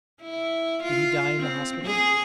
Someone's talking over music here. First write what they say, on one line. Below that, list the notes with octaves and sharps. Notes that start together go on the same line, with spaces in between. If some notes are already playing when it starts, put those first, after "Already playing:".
'Did he die in the hospital?'
E4
F4
C4
G#4